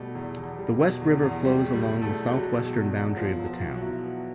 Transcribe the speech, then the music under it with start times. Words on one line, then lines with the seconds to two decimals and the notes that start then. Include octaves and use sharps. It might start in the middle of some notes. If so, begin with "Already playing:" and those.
The West River flows along the southwestern boundary of the town.
Already playing: B2 G3 A3
0.15 E2
0.37 E2
0.59 G3
0.80 B2
1.02 E2
1.23 E2
1.45 G3 G#3
1.67 B2
1.73 G3
1.88 E2
2.02 A3
2.09 E2
2.31 F#3 G#3
2.53 B2
2.75 E2
2.96 E2
3.17 F3 B3
3.39 F#3
3.46 F3
3.61 B2
3.75 F#3
3.82 E4
4.03 B3